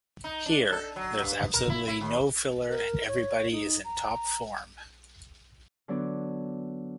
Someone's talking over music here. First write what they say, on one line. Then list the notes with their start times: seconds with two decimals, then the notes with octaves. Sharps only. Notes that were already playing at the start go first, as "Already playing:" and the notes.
Here, there's absolutely no filler and everybody is in top form.
0.24 D#4
0.46 D4
0.72 A4
0.96 F#3
1.22 G2
1.54 A#4
1.70 E4
1.87 E4
2.01 D#2
2.69 A#4
3.07 C#5
3.52 D#4
3.84 A#5
5.88 D3 F#3 B3 D4 F#4